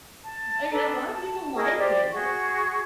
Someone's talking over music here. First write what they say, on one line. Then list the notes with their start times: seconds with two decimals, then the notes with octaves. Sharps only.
I mean, a lotta people like it.
0.24 A5
0.72 D4 A4 B4 A#5
1.13 A5
1.56 E4 G#4 A#4 D#5
1.79 G4 C5 D5
2.13 F#4 G#4 C#6